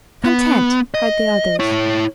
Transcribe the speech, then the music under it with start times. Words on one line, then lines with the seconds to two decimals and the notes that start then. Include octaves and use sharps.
"Content," cried the others.
0.24 B3
0.94 D#5
1.60 E4 C#5